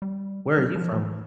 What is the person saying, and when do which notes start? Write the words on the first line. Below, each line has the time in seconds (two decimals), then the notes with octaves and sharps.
Where are you from?
0.02 G3
0.58 F#3
0.76 F3
0.94 E3